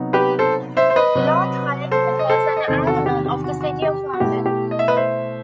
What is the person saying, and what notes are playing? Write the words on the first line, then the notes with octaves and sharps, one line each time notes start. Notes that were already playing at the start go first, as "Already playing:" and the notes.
Lord Hollenden was an Alderman of the City of London.
Already playing: C3 F#3 B3 D#4
G4 B4
A4 C5
C5 E5
C5
B4 D#5
C3 F#3 C4
A4 C5
D#5
A4 C5
D#5
E2 C3 D#3 A4 C5
F#4 A4
G4
G4
F#4
F#4
G4
F#4
B2 A3 E4 G4
G4
D#5
E5
B4 D#5
C5 E5